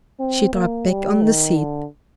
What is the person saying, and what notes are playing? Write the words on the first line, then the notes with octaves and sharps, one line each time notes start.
She dropped back on the seat.
C4
A#3
G3
D#3
D3